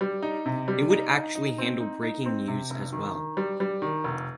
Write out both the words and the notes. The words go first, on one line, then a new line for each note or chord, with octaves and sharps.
It would actually handle breaking news as well.
G3
D#4
C3
G3
D#4
D#4
D#4
C4
D#4
D#4
C4
C3
F1
D#3
D#3
G3
G3
D#3
F1